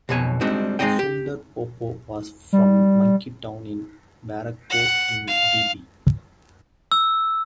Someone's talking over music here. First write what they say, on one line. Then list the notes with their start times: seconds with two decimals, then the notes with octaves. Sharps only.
Sundar Popo was from Monkey Town in Barrackpore in Debe.
0.09 B1 F2 B2 C#5 G#5
0.41 G3 G#3 C4 D4 D#4 F#4
0.79 G#3 A#3 C4 D#4 D#5 G5
0.99 G4
2.53 G3
4.70 F#5
5.28 F5
6.92 E6